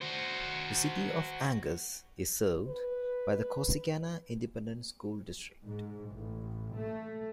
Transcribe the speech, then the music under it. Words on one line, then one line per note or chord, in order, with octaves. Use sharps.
The City of Angus is served by the Corsicana Independent School District.
F#4 C5
B4
G#2
A1
A3